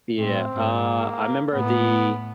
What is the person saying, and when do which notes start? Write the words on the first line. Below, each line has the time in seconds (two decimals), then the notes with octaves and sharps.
Yeah, uh, I 'member the,
0.18 A2 C4
0.52 G#2
0.86 A#3
1.53 A2 B3